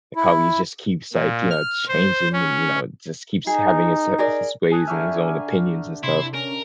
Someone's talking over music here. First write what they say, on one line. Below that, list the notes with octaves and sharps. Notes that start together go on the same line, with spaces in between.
like how he just keeps, like, you know, changing and, you know, just keeps having his, uh, his ways and his own opinions and stuff.
E4
A#2
F6
C5
C#4
D#4 G#4
G#4 A#4 D5
G#5 A5 D#6 F#6
D3 G4 E5 A#5 C#6 F6
C3 E4 C6
C#4 A#4